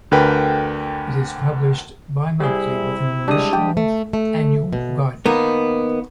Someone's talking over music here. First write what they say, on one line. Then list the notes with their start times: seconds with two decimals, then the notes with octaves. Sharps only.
It is published bimonthly with an additional annual guidebook.
0.11 D2 D3 A#4 B4 G5
2.40 C3 G3 E4 G#4
3.28 G3 G#3 D4 D5 D#6
3.53 G4
3.77 A3
4.13 A3
4.73 B2
5.26 D#3 A#3 B3